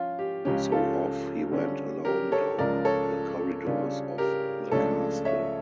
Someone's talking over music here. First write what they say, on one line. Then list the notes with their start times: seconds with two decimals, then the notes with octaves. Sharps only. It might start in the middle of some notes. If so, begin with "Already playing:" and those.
So off he went alone down the corridors of the castle.
Already playing: F3 C#4 F4
0.19 G4
0.45 C#2 C#3 F3 C#4 G4
0.72 F4 A4
1.51 D3 G3 C#4 F4
2.05 G4 A#4
2.32 A4 C#5
2.58 C#2 C#3 F3 A#4 D5
2.85 A4 C#5
3.65 C#3 G3 D4 F4
4.18 G4 A#4
4.71 C#2 C#3 F3 A3 D4 A4 C#5
5.25 C#5 E5